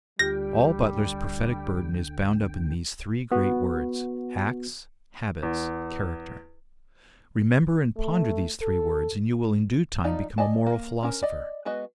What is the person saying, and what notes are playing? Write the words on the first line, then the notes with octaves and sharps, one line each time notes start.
All Butler's prophetic burden is bound up in these three great words--acts, habits, character. Remember and ponder these three words, and you will in due time become a moral philosopher.
D2 D3 G3 F4 G4 G5 A#6
B3 F#4
E2
A3
A4
F3 D#4 D5 A#5
D5 D#5 G#5 A5
A#3
C#4 A#4
D5 D#5
G#3 B3 F#4 B4 D#5